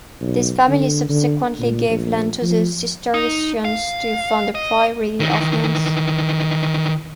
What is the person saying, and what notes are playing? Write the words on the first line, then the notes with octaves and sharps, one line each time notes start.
This family subsequently gave land to the Cistercians to found a priory of nuns.
B1
D3
D3
A#2
A#1
F3
D#4
F5
D#5
D#3 E3